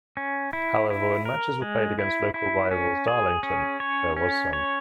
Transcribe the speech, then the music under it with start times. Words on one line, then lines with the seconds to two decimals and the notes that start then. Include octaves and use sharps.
However, when matches were played against local rivals Darlington, there was some.
0.17 C#4
0.53 E4
0.90 E4
1.25 A#4
1.62 G#3
1.99 E4
2.34 E4
2.71 C#4
3.08 G#4
3.43 C#4
3.80 C#5
4.17 C#4
4.53 C#5